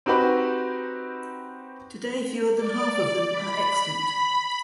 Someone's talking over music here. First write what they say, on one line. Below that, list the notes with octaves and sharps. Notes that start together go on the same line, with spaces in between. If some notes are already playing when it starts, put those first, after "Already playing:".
Today fewer than half of them are extant.
C4 D#4 F#4 G4 B4
D5
B5
B5